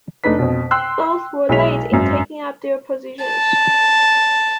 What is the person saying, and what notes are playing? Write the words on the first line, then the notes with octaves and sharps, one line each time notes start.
Both were late in taking up their positions.
F1 A3 D4 D#4 B4 B6
F2 B2
G5 C6 E6 F#6
B1 G#3 E4 C#5 B6 F7
G#1 F#2
A5